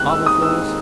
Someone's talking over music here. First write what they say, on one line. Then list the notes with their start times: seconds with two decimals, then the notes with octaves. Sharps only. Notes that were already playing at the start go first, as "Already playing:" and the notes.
Marble floors.
Already playing: D#2 D#3 G#3 C4 D#4 F#6
0.09 E6
0.26 D#6
0.42 E6